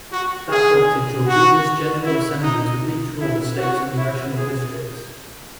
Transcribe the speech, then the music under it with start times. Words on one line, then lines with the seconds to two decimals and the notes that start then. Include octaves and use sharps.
That prompted Georgia's General Assembly to re-draw the state's congressional districts.
0.11 F#4
0.49 G#4
1.27 F#4
2.03 E4
2.42 D#4
3.19 E4
3.57 F#4
3.96 E4
4.34 G#4